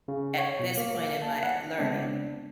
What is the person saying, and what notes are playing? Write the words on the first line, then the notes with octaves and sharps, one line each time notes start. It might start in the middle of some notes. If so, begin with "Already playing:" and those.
at this point in my learning,
C#3
C#5
B2
A#3
A#3
A5
F#5
C#3 G#3 B3 C4 D4